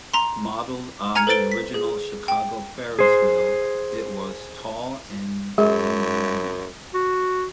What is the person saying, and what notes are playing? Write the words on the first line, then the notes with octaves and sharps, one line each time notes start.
Modelled on the original Chicago Ferris Wheel, it was tall and in diameter.
A#5 C6
G#5 A#5 F6 G#6 C#7
A4 B4 C5 A6 D7 G7
B6
G#4
G5
G#4 C5
F#2 G#3 G#4
F#4